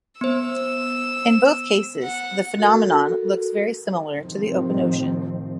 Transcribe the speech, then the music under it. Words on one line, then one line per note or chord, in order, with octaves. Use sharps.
In both cases, the phenomenon looks very similar to the open ocean.
B3 C5 E6
F#5
F#4 A4 A#4
A2 C3 D#3 F3 C4